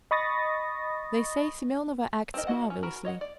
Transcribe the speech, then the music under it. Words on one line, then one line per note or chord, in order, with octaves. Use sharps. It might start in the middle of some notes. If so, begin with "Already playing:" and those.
They say Semenova acts marvelously.
D#5 B5 C#6 D#6 A6 A#6
C4 D#4 F#4 A#4 D#5
E4 F#4 D#5 F#5
C#4
F#4 A#4 B5
C#5 D#5 F#5
D5